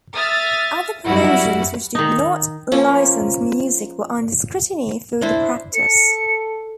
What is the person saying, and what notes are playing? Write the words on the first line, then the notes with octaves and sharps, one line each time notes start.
Other promotions which did not license music were under scrutiny for the practice.
E5 D#6 F6 A6
F#2 G3 E4 F#4
D#3 D#4
F3 A#3 C#4
D4 E4 C5
A4 C#7